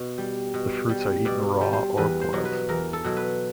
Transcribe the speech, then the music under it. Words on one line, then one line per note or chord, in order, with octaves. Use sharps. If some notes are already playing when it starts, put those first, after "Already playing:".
The fruits are eaten raw or boiled.
Already playing: B2
G3
B2
G3
B2 D5
G3
C5
E2 B4
C5
B2 F#3
B4
E2 A#4
A4
B2 F#3
B4